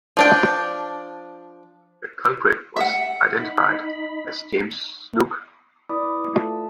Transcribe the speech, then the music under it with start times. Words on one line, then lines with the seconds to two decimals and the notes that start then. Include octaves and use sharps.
The culprit was identified as James Snook.
0.17 F3 D4 G5
2.76 E5 F#5
3.39 D#4 B5
5.89 E4 B4 D5 B5 D6 D#6
6.33 A3 F4 A4 E5 A5